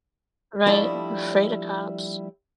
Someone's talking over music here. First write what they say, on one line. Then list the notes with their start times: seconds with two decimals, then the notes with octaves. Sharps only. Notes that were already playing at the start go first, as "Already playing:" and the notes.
Right, afraid of cops.
0.66 F3 G3 A3 D4 E4 D#5